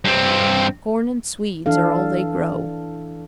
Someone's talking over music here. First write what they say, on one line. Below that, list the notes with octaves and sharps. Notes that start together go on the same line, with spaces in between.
Corn and swedes are all they grow.
G2 C4
E3 D4 A4 F5